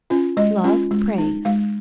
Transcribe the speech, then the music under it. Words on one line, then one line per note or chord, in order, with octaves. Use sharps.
Love prays.
C#4 F4
G#3 D#5
C#4 F4
G#3
D#4
G#3 F5